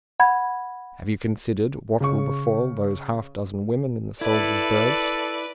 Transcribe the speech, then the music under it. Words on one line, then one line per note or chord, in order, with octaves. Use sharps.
Have you considered what will befall those half-dozen women in the soldiers' berths?
F#5 B5 G#6
C#3 C#6
E4 A4 B4 D5